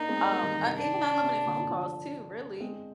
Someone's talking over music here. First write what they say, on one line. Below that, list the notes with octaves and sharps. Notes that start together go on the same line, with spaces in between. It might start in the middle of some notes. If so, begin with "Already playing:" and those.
um, uh, even unlimited phone calls too, really,
Already playing: A#3 D4 D#4
G#3 C4
G3 A#3
D#3 G3
D#3 G3
C3 D#3
D4
C3
A#2 D3
D3 F3
G#3 C4